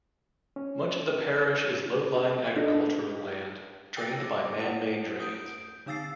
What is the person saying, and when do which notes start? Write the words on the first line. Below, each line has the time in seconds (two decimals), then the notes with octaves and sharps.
Much of the parish is low-lying agricultural land drained by man-made drains.
0.56 C#4
2.56 D4 D#4 A4 D#5
3.97 G5 E6 A6 A#6
4.23 D6
4.57 A3 E4 C5 F#5
5.20 D#6 G6 D7
5.86 D3 D#4 F5 E6 A6 C7